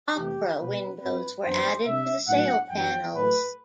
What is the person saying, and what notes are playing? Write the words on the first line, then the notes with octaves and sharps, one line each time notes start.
"Opera" windows were added to the sail panels.
E2 C3 E3 A3 G4
B2 G3 B3 B4
G2 F#3 C4 B4
F#2 E3 B3 D4 C5
C3 G3 D4 E5
A2 F#3 B3 D4 F#5
F#2 E3 G3 B3 D4 G5
A2 F#3 A3 B4